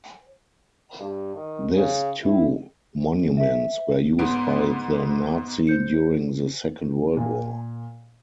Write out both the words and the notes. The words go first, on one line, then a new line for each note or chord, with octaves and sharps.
This two monuments were used by the Nazi during the second world War.
G2
D#3
C#3
E4
E5
G#2 B3 F#5 C6 D7
C5 G6 C#7
A#2